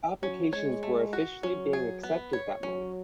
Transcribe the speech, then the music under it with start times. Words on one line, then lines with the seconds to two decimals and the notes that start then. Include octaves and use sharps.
Applications were officially being accepted that month.
0.23 F#3 C#4
0.53 G#3 C#5
0.83 A3
1.13 F#4
1.43 F#3 C#4
1.73 G#4
2.03 B3
2.33 C#5
2.63 F#3 C#4